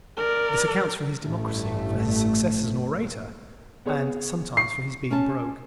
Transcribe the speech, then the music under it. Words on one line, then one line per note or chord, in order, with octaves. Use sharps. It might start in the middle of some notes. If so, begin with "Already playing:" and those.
This accounts for his democracy, for his success as an orator, and--sometimes for his being "broke."
A#4 D5
A1 G2 A3
B3 G#4 C#5
C#6 C7
C#4 A5